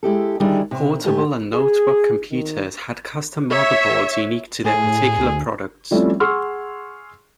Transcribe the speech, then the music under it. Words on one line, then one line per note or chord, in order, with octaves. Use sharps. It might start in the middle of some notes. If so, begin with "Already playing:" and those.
Portable and notebook computers had custom motherboards unique to their particular products.
G#3 E4 G4 A4
D3 D#3 G3 D4 E4 G#4
C3
G#2 A3 G4 B4 G#5 A5
G#4
D#3
C#5 E5
A2 G#4
D2
F3 G3 A3 C4 C#4 E4
G#4 F#5 C6 C#6 E6 F6